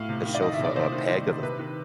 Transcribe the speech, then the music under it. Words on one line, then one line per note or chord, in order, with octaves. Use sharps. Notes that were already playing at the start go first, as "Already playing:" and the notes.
the sofa, a peg of the
Already playing: A2 F5
C3
D#3
D5
D#3 D#5
E5
C3
D5
C3 C5
D#3
D#3
C3
C3 B4
D#3